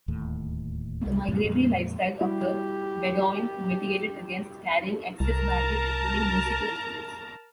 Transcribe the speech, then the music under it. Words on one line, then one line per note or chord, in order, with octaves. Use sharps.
The migratory lifestyle of the bedouin mitigated against carrying excess baggage, including musical instruments.
D1 D#2 A2
C2
F#2 A2 C3 G3
F2 A#2 G#3
G3 E4 F#4 G4
C2 A#4 A5 A#5